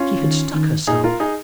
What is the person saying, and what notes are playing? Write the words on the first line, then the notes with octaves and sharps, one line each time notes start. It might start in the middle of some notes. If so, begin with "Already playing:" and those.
She had stuck herself.
Already playing: C#4 F4
D#3
D#3
A#2 D#4 G#4
F4 A#4
D#4 G#4